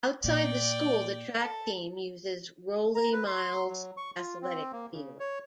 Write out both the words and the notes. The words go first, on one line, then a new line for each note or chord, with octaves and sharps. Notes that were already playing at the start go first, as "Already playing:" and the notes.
Outside the school, the track team uses Rollie Miles Athletic Field.
A#2 D5 G5
A4
A#5
B4
C6
F#3
C#6
F4
C4
A#3
C#3
C#5